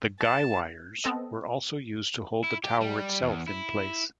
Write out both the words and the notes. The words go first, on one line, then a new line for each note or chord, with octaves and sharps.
The guy wires were also used to hold the tower itself in place.
A5
B3 C4 A4 D#5
E4
G4
G3
E2
E4